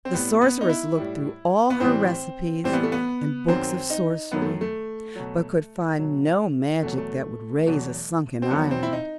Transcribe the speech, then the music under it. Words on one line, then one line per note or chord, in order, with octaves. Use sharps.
The Sorceress looked through all her recipes and books of sorcery, but could find no magic that would raise a sunken island.
C4
A2 G3 B3
B3
D#4
E4
A2 G3
B3
A2 E3 G3 C4
A2 E3 G3 C4
B3
A3
B3
F#2 D#3 F#3 C4
D#4
F#2 D#3 F#3 B3
A3
A3
B2 F#3
B2 F#3
E2 B2 F#3 A3
A3
E2 B2 F#3
C4
E2 D#3 F#3 B3
C4
E4
D#4